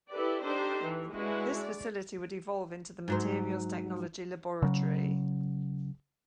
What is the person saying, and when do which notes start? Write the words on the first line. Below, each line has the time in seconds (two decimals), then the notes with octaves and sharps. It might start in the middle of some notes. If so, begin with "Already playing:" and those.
This facility would evolve into the Materials Technology Laboratory.
0.12 E4 G4 A4 B4 D5
0.44 D4 D#4 G4 A4 C5
0.83 E3
1.14 G#3 D4 E4 F#4 B4
1.58 D5
3.08 G#2 F#3 C5
4.62 C#3 F#3